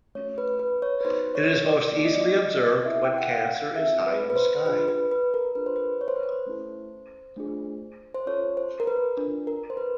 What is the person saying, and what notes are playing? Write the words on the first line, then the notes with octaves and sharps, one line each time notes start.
It is most easily observed when Cancer is high in the sky.
A3 C#4 F#4 C#5
B4
B4
C#5
B4
B3 D#4 F#4 C5
C#5
D5
A#3 D#4 G4 D5
D#5
D5
D#5
B3 E4 G#4 E5
G5
F#5
F5
C4 F4 G#4 E5
B4
B4
C5
D4 F4 G#4 B4
B4
B4
A#4
D4 F4 G#4 B4
C5
B4
C#5
C5
B4
C5
A3 C#4 E4 A4
A3 D4 F4 G#4
C5
C#4 F4 A4 C#5
C5
A#4
B4
D4 F4 A4
A#4
C5
B4